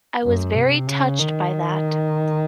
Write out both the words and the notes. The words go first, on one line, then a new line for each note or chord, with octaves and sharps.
I was very touched by that.
F#2
C3
C#3
D#3